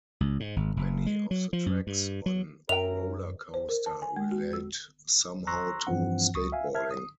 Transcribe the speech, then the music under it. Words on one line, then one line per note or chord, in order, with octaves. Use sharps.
Many of the tracks on "Roller Coaster" relate somehow to skateboarding.
C#2
G#2
G#1
F#1
G#3
F#3
F3
F#2
G2
F#3
F#2 C#4 F#4 A#4 E5 G5 F7
C5
A#4
A5
G#5
G#3
F#4
E6
A#5 C6 C#6 E6 F#6 A#6
G2 E3 F3 C4 F#5
C#2 C#6 D#6
E5 F5 G#5
E5 A5 F6 G#6
D#6